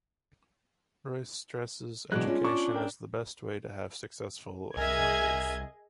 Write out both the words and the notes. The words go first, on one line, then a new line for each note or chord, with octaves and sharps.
Royce stresses education as the best way to have successful encounters.
B2 E3 F#3 G#3 D4 F#6
C#4 F4
D4 C#6 D6
A#4 G5
C2 G#4 A#4 D#5 E5 G#5 G#6